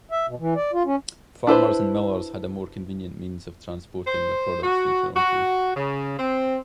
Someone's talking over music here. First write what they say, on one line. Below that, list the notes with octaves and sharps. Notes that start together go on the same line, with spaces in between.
Farmers and millers had a more convenient means of transporting their products to Toronto.
E5
B2
E3
D5
F4
C#4
D4 E4 B4 C5
C5
F#4
F#4
C#3
C4